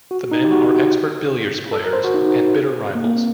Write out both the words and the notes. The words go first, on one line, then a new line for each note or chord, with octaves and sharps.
The men are expert billiards players and bitter rivals.
F#4
D#4
G4
F#4
A4
A#4
C5
F#4
D#4
A#3
A#3
C4